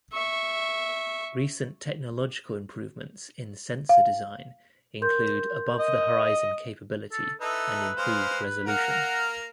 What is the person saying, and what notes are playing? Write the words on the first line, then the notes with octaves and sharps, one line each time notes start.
Recent technological improvements in sensor design include above-the-horizon capability and improved resolution.
E5 C#6
F5
A#4 C6 G6
D#5
A4
D#4 E4 A4 B4
G#3 C5 F5
A#3 A#4 F#5